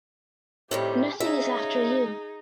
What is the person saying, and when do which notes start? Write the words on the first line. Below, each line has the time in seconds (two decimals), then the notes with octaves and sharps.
Nothing is after you.
0.71 A2 C3 D#3 G3 G4
1.20 C#3 D#4 G#4 E5